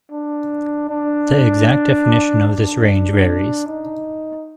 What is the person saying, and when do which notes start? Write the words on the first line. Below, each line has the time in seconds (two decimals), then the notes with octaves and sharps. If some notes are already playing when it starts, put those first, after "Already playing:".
The exact definition of this range varies.
0.11 D4
0.89 D4
2.48 D4
3.67 D#4